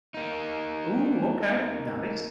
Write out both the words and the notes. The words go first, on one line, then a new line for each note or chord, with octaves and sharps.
Ooh, okay, nice.
A#3 D#4